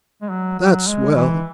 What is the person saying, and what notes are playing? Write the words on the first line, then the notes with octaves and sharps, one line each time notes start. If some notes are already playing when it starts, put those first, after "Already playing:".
That's well.
G#3
F#3
F#3
G#3
E3